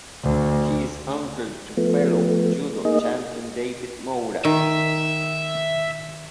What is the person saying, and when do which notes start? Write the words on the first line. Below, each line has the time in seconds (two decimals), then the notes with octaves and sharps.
He is uncle to fellow judo champion David Moura.
0.23 D2
1.77 F3 A3 B3
2.85 A#3 D#4 G#4 D#5
4.45 D#3 E5